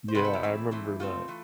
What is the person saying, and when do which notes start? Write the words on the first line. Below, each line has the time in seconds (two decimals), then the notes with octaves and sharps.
Yeah, I remember that.
0.08 C5
0.15 C3 G3 B3 B4
0.25 A4
0.33 E4
0.43 E3 A3 C4
0.71 E3 A3 C4
0.99 D3 A3 C4 F4
1.28 E3 A3